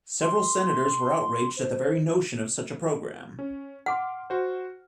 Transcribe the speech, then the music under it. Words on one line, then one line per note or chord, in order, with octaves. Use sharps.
Several Senators were outraged at the very notion of such a program.
C6
C5
C#4
F#5 C6 D6 F6
F#4 C5